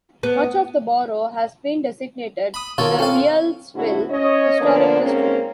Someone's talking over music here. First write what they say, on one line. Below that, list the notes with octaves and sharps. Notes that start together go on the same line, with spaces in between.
Much of the borough has been designated the Beallsville Historic District.
B3
B5 D#6
B2 D#3 F4 A4 A#4 C#5
C4 C#4 F4 A4 F5
G#2 C#3 A3 D4 E4 F#4
C#4 C#5 D#5
D3 F3 A#3 B3 D4
G#2 A#3 C4 C#4